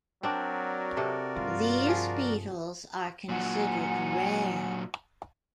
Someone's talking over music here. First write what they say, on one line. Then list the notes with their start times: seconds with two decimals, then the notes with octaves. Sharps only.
These beetles are considered rare.
0.23 F#3 C4 D4 F#4 A#4 D5
0.97 C3 A4
1.36 G2 F4
1.87 F3 G#4
3.29 A#2 F#3 F#5 G#5